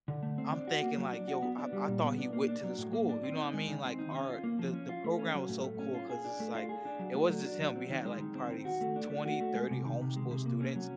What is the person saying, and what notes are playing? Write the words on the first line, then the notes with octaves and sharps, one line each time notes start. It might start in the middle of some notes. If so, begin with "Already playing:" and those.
I'm thinking, like, yo, I I thought he went to the school. You know what mean? Like, our the the program was so cool 'cause it's, like, it wasn't just him. We had, like, probably s twenty, thirty homeschool students
D3
A3
C4
D4
F#4
A#3
F#3
D4
F#4
B3
D4
G3
A#2
B3
D4
A#3
D4
F#3
A2
A#3
D4
C4
D#4
G#3
D#3
C4
D#4
C#4
F4
A#3
F3
C#4
F4
A3
C#4
F#3
A2
A3
C#4
F4
G#4
D4
A3
F4
G#4
D4
F#3
A3
F#3
D4
F#3
C4
D#3
G#3
D#3
C4
D#3
F#4
A3
D4
A3
F#4
A3
G#3
C3
D#3
C3
G#3
C3
A#3
C#4
F#3